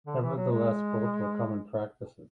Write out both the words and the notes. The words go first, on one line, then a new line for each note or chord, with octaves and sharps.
Nevertheless, both were common practices.
D3
E3
F#3
G#3